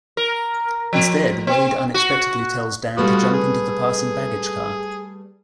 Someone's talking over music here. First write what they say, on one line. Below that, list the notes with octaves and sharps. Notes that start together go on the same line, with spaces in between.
Instead, Wade unexpectedly tells Dan to jump into the passing baggage car.
A#4
F3
C4
F#4
G3 A3 F4 F#4 B4 D#6
G#4